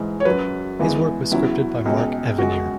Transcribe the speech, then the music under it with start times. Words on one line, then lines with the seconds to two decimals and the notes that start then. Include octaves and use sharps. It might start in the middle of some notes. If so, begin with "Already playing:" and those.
His work was scripted by Mark Evanier.
Already playing: G#2 E3 G#3
0.20 C#5
0.25 F#2 F#3 B4
0.79 E2 E3 G#3
1.31 E2 C#3 F#3 E4
1.85 C#2 B2 G#3
2.38 F#2 C#3 G#3 F#4